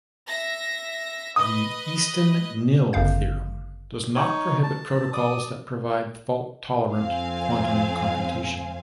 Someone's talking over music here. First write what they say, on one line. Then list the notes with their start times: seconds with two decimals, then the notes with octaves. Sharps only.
The Eastin–Knill theorem does not prohibit protocols that provide fault tolerant quantum computation.
0.27 E5 A#6
1.36 B4 D#5 D#6
2.93 G1 F#2 C#3 F5 G6
4.15 D#4 C#5
4.63 A5
5.13 D5 D#6
6.94 F2 C4 F5 G#5